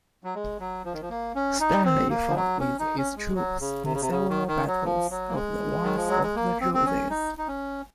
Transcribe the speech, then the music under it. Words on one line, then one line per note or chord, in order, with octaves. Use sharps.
Stanley fought with his troops in several battles of the Wars of the Roses.
F#3
G#3
F#3
F3
D#3
F3
A#3
C#4
D#4
C4
A#3
F3
F#3
C#4
D#4
C#4
G#3
F#3
C#3
C3
C#3
C3
C#3
D#3
D#3
F#3
F3
F#3
A#3
G#3
D#3
F3
F#3
G#3
A#3
C4
C4
C#4
D#4
D#4
C#4